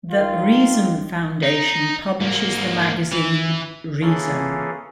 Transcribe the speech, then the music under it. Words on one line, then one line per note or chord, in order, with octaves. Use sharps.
The Reason Foundation publishes the magazine "Reason".
D#3 F4
D#4
G#2 A#3
E3
E3 A#3 C#4 F4 G#4 A4